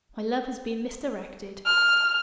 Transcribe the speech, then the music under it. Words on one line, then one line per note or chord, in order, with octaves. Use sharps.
My love has been misdirected.
F6